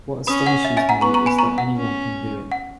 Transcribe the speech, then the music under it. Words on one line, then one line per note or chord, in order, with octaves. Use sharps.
What astonishes me is that anyone can do it.
C#4 B5 D#6
F#5
E5
E5 G#5
F#5 A#5
B3 A#5 C#6
A#5 C#6
G#5 B5
A#5 C#6
F#5
C#4
F#5